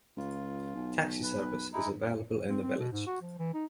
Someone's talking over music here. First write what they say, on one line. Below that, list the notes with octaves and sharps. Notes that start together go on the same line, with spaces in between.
Taxi service is available in the village.
C#2 F4
B1
B4
G#3 D#4 E4
C4
C4
B2
G#2
F#4
F3
E3
D#4